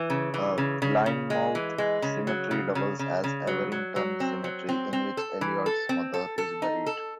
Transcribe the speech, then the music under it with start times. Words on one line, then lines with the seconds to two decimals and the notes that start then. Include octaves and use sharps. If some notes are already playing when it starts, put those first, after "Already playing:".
Lynemouth Cemetery doubles as Everington Cemetery, in which Elliot's mother is buried.
Already playing: E3
0.10 C#3
0.34 E3
0.58 C#3
0.82 C#3
1.06 C#3
1.30 G#3
1.55 E3
1.78 G#3
2.02 C#3
2.27 F#3
2.51 C#3
2.75 C#3
2.99 C#3
3.24 C#3
3.47 F#3
3.72 F#3
3.96 F#3
4.20 C4
4.44 F#3
4.69 C4
4.93 C4
5.17 A4
5.41 E3
5.66 A4
5.89 C4
6.14 A4
6.38 A4
6.62 D#4
6.86 A4